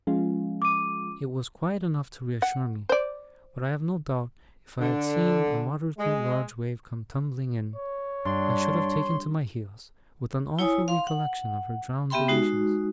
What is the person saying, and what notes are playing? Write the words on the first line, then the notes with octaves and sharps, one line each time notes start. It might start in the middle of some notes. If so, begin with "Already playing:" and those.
It was quiet enough to reassure me, but I have no doubt if I had seen a moderately large wave come tumbling in, I should have taken to my heels, with an awful recollection of her drowned relations.
F3 G#3 C#4 F4
D6 D#7
F#5
C5 D5
D3
G#3
C#5
G2 D4 C6
E4 C#5 G#5 D#6
F5 C6
F#5
B3 G4 E5 G5 B5 C6
G#3 D#4 F#4